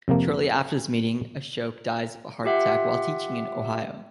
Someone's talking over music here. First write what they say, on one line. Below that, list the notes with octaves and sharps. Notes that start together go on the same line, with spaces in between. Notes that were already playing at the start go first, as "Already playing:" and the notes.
Shortly after this meeting, Ashoke dies of a heart attack while teaching in Ohio.
F2 C3 F3 A#3
F4 G4 E5 F#5